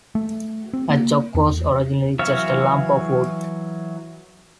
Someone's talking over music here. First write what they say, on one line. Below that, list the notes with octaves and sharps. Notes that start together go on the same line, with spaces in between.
A "chock" was originally just a lump of wood.
A3
C4
A#3
E2
E3 F#3 C#5 E5 F5